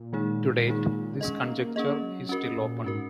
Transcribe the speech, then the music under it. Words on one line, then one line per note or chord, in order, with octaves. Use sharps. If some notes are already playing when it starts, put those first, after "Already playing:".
To date, this conjecture is still open.
Already playing: A#2
D#3 G#3 D#4 G#4
D#3 G#3 D#4 G#4
G#3 C#4 G#4 D#5
G#3
A#3
A#3
A#3 C#4 G#4 D#5
F#3
C#4 F#4 A#4
A#2
G#2 C#4 F#4 A#4